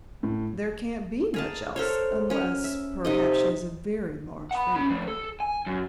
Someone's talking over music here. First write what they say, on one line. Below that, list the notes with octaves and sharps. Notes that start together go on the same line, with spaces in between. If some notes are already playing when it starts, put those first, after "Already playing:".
"There can't be much else--unless perhaps she has a very large finger."
A2
G#4 A#4 A5
A4 A#4 C5 C#5
C#4 A#4
E5
C3 D#4 D#5
F#5 B5
C#4 B5
F3 A3
A4
G#5
F#2